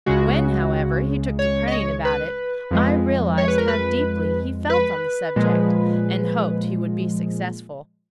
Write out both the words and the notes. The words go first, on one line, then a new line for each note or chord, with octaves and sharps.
When, however, he took to praying about it, I realized how deeply he felt on the subject, and hoped he would be successful.
C#2 C#3 G#3 F#4
C#5
D#5
C#5
B4
F2 F3 G#3
C#5
B4
A#4
B4
B4
A#2 F3 G#3